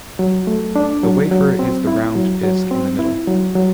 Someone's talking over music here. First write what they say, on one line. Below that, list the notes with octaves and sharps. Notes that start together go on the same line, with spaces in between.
The wafer is the round disc in the middle.
F#3
A3
D4
F#3
F#3
C4
E4
F#3
F#3
C4
E4
F#3
F#3